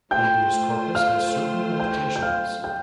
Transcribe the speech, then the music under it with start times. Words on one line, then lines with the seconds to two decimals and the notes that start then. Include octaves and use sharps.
"Habeas corpus" has certain limitations.
0.11 A3 F4 C5 G5 G6
0.95 F5 F6
1.80 G5 G6
2.16 G6
2.22 F5 F6
2.64 G5 G6